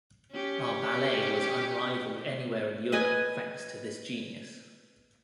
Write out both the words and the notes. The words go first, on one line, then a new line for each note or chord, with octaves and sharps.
Our ballet was unrivaled anywhere in Europe thanks to this genius.
C#4 G4
B4 D#5 G#5